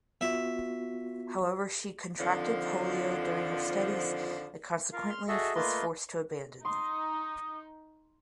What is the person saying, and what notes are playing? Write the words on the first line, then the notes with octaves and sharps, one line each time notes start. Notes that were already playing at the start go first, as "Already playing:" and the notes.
However she contracted polio during her studies and consequently was forced to abandon them.
B3 F4 F#4 E5
F2 D3 D#3 F3
F4 A#4 F5
C6 F6
F#4 G#4 A4 D#5 E5
A3 A#3 F4 B4 D#5 C6
D#4 C6 D#6